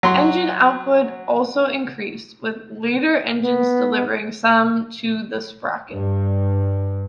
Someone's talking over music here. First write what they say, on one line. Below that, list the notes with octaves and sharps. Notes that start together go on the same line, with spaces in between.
Engine output also increased, with later engines delivering some to the sprocket.
F#3 C6
B3
G2